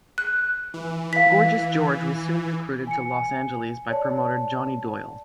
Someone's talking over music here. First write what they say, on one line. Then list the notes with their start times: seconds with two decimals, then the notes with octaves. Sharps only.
Gorgeous George was soon recruited to Los Angeles by promoter Johnny Doyle.
0.18 F#6
0.74 E3
1.13 F5 B6
2.87 G#5 C#7
3.89 C#5 D5 A5